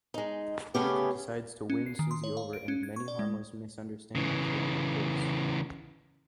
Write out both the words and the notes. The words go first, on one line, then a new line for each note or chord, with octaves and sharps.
Duke decides to win Susie over and many harmless misunderstandings run their course.
G#3 D#4
C#3 A3 B3 C#4 G4 G#4
C#4
C7
D#3
C6
C#5
F5
D7
C#4
G#6
C#6
D5
G#3
C#3 E3